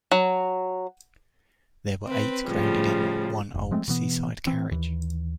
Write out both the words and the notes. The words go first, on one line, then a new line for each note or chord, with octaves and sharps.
There were eight crowded in one old seaside carriage.
F#3
C4 B4
A2 C#3 F3 G3
F1
F3 G#3 A3 C4
B2 E3 B3
E3 C4
D#2 E3